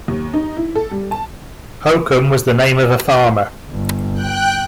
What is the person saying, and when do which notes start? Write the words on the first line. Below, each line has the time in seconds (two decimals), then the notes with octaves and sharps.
Holcomb was the name of a farmer.
0.08 D#2
0.34 D#4
0.57 E4
0.75 A4
0.91 G3
1.11 A5
3.70 G1
4.14 G5 F#6